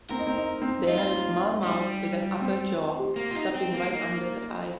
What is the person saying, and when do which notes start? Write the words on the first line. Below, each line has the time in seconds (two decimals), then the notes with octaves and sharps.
They have a small mouth with an upper jaw stopping right under the eye.
0.10 C4 A#4
0.19 D#4
0.27 C4
0.37 D#4
0.62 C4
0.87 D#4 F4
1.63 G3 D#4
2.40 C4
3.16 A#3
3.31 F4
3.35 D#4
3.54 C4
3.74 A#3
3.93 A#3 D#4